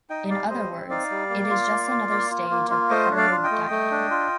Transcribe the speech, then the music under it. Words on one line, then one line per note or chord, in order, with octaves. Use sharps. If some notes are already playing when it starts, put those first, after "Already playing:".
In other words, it is just another stage of heterodyning.
D#4 D#5 G5
G3 D5 F5
G3 C5 D#5
C4
D#4 D5 F5
G3
A#3
F4
A#3
F4
A#3
F4
A#3
F4
A3 C5 D#5
D4
D5 F5
F4
D#5 G5
A3
A3
D4
F4